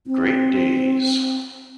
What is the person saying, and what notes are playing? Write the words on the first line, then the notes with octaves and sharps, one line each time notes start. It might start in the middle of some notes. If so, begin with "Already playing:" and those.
Great days!
C4